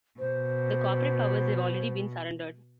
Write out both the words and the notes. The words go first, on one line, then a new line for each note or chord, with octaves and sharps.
The corporate powers have already been surrendered.
B2 C5